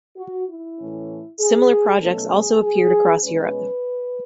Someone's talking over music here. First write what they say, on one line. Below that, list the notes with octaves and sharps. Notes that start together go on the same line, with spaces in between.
Similar projects also appeared across Europe.
F#4
E4
A2 E3 A3 C#4
G#4
B2 F#3 A3 C#4 A4
G#4
G#4
B2 G#3 C#4 B4